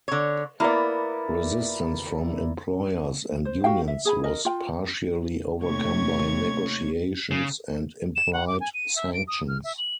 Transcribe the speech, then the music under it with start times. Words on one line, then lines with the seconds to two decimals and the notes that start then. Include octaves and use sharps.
Resistance from employers and unions was partially overcome by negotiations and implied sanctions.
0.08 D3 C#5
0.60 A#3 B3 E4 A#4 D5
3.45 C5
3.64 F#4 G4 F5 G5
3.88 E5
4.05 G#4 G#5 B5
4.24 A#4 D#5
4.45 F4 G5
5.62 D#2 C3 A3 C#5 C#6 G#6
7.31 C#3
8.16 E7
8.33 F#5
8.48 D6
8.61 G#5
8.74 D#7
8.96 E5
9.13 D7
9.28 D#6
9.48 F6
9.64 E5
9.78 F#7